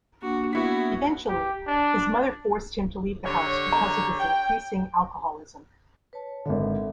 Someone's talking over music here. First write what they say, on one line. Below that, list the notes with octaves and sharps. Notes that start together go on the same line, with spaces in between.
Eventually his mother forced him to leave the house because of his increasing alcoholism.
A#3 D4 F#4
B3 E4 F#4 B6
G4
D4
D3 G4 C#5
A#5
G5
B4 C#5 A5
G#1 D3 A4 E5